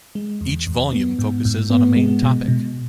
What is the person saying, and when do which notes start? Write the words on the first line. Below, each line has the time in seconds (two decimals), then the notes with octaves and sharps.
Each volume focuses on a main topic.
0.15 G#3
0.41 E2
0.67 E2
0.92 B3
1.19 G#2
1.45 G#2
1.70 B3
1.96 G#3
2.23 B2
2.48 B2